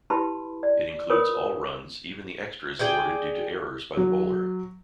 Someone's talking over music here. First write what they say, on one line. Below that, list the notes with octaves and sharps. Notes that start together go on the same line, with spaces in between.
It includes all runs, even the extras awarded due to errors by the bowler.
E4 G4 B4 A5 B5 C6
D5
F4 A#4 B4 C#5 D#6
G#4 D5 G5
F#3